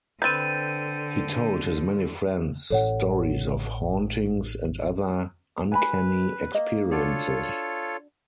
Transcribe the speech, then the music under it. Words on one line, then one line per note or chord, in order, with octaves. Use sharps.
He told his many friends stories of hauntings and other uncanny experiences.
D3 C4 B4 G6 A6 D#7
A1 A4 C#5 F#5
B4 G#5 B5
A#3 D#5
D4 F4 F#4 A4 C#5